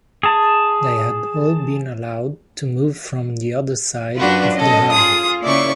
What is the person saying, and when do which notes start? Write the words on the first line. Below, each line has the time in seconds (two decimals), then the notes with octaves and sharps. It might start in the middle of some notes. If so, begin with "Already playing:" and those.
They had been allowed to move from the other side of the Rhine.
0.23 G#4 A5
4.17 F#2 D4 F4 F#4 B4
4.55 C#4 A4 D#5
4.91 F4 G#4 D#6
5.43 C#3 A#3 E4 D5 C#6